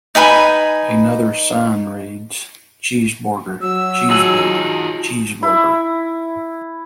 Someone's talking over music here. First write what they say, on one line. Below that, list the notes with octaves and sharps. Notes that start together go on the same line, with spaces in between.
Another sign reads: Cheezborger, Cheezborger, Cheezborger.
D#4 B4 G#5 B5
F#3 E6
D#4 F4 F#4 G#4 F#5 A5
E4